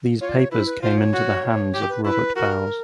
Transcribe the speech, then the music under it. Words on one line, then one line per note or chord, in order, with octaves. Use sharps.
These papers came in to the hands of Robert Bowes.
F4 C#5
D5
C#5
E4 B4
C5
B4
F4 C5
C#5
F#4
G4
B4
E4 B4
F#4 A#4